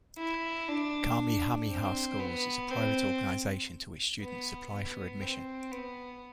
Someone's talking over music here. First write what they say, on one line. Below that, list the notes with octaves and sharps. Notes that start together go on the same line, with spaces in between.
Kamehameha Schools is a private organization to which students apply for admission.
E4
D4
C4
B3
C4
B3
B3
C4
B3